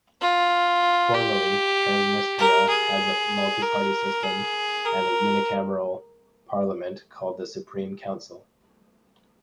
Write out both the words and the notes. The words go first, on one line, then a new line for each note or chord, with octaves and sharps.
Formally, Transnistria has a multi-party system and a unicameral parliament, called the Supreme Council.
F4
G4
A#4
G#4
A#4
G#4
A#4